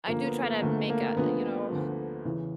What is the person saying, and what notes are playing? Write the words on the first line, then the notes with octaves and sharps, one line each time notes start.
I do try to make, uh, you know,
D2 D3 F3 A#3
B3
A#3
D2 D3 F3 A3
A#3
D2 D3 F3 B3
D2 D3 F3
E2 C#3 E3